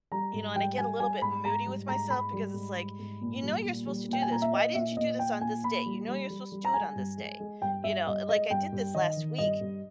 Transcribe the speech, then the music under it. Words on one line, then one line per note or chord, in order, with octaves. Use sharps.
You know, and I get a little bit moody with myself because it's like, "You know you're supposed to do this. Why didn't you do this on this day? You know you're supposed to do it on this day." You know, it like, "I did this last week."
G3 A#5
G#2
G3 G5
G3 G#5
G3 G#5
G#2 B5
G#2 A#5
G3
G#2 A#5
G#2 B5
G3
G#2
G3
G#2
A#2
G3
A#2
G3
A#2 G5
G#5
A#2 A#5
E5
A#2 D#5
A#2 E5
A#2 D#5
A#2 G5
A#2 G#5
A#2 B5
G3
G3
G3
G3
A#5
G#3 G#5
G2
G#3
G#3
G2 G5
G2 E5
G2 D#5
G#3 D#5
G2 G5
G2
D#3 D#5
D#3
G2 D#5
G2